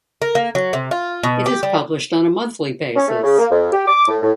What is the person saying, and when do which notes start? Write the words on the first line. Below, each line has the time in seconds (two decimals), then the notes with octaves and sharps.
It is published on a monthly basis.
0.22 A#4
0.35 A#3
0.55 F#3
0.73 C3
0.91 F4
1.23 B2
1.46 G4
1.63 G3
2.96 C#4
3.08 A3
3.23 C#3
3.38 A#3
3.51 F2
3.73 G4
3.87 D6
4.08 A2
4.23 A2